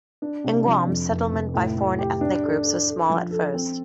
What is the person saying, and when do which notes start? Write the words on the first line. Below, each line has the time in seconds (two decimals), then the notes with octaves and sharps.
In Guam, settlement by foreign ethnic groups was small at first.
0.22 D4
0.44 C3
0.66 F3
0.87 F2
1.09 F1
1.32 F1
1.54 A2
1.76 A2
1.99 G4
2.21 D4
2.43 A4
2.65 A4
2.87 A4
3.10 F3
3.31 A4
3.54 C4